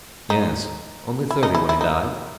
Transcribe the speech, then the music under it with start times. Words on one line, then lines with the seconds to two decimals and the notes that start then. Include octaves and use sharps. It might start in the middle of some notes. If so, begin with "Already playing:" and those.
"Yes; only thirty when he died."
0.30 D#4
1.30 E4
1.43 D#4
1.55 E4
1.69 E4
1.81 D#4